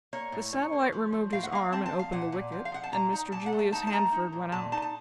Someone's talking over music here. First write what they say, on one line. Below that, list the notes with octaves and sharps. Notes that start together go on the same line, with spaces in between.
The satellite removed his arm and opened the wicket, and Mr Julius Handford went out.
A#3 C#5
A2
C#4 C#5
A#3
F3
F3
A2 F5
F#5
A#3 F5
C4 A5
A5
F3
F5
A#2 F#5
A#2
F3
F5
F3 F#5
A5
A#2 A#5
D#4
A#2 A5
F#5
A3
A5
D#4 A5
A5
A3 A#5
D#4
A#2
A#2 A5
D#4 A5
A5